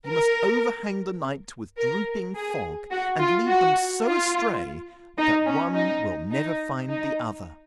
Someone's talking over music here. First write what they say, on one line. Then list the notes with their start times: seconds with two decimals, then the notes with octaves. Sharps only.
You must overhang the night with drooping fog, and lead them so astray, that one will never find the other.
0.08 A#4
1.78 A#4
2.35 G#4
2.92 F#4
3.21 F4
3.49 F#4
4.05 F4
5.19 D#4
5.47 C#4
5.75 D#4
6.32 D#4
6.89 D#4